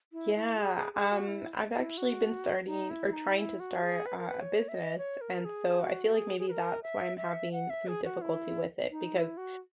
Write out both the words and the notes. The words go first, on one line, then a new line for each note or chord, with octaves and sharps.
Yeah. Um, I've actually been starting or trying to start, uh, a business, and, so I feel like maybe that's why I'm having some difficulty with it, because
E4
E4
G#4
G#4
G#4
F#4
E4
E4
F#4
D#4
E4
D#4
E4
F#4
G#4
B4
A#4
B4
C#5
E5
D#5
C#5
A#4
G#4
F#4
G#4
G#4
B4
A#4
E5
E5
F#5
E5
G#4
F#4
E4
D#4
E4
F#4